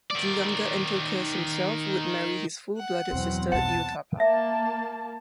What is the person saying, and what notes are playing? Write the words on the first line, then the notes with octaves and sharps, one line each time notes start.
The younger Antiochus himself would marry his full-blooded sister Iotapa.
D#3 D5
F#5
B1 E2 B2 F#3 C4
B1 F#2 F#5 A5
A#3 E5 A5